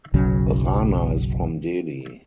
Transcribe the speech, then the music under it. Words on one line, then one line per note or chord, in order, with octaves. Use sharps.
Rana is from Delhi.
F#1 B1 C#3 F#3